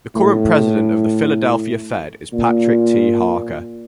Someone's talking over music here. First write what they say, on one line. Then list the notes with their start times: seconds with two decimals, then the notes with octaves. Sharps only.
The current President of the Philadelphia Fed is Patrick T. Harker.
0.15 A2
2.33 A#2